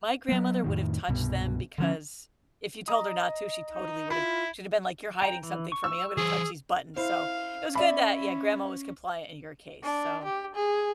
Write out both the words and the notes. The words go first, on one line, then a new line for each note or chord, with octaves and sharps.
my grandmother would have touched them because if you told her not to, she totally would've She'd have been, like, you're hiding something from me, I'm gonna touch these buttons, so It was good that, yeah, grandma was compliant in your case. So
F#3 B3
F2 A2 D#3
C2 G2 B2
D3 F3 C#4
D#5 A#5 D#6
D#4
E4 F4 B5
G5 A#5
E3
C#6
E6
E3 G#4 C5
E4 C5 F5
C#4 D5 E5 B5
D4
G4
G#4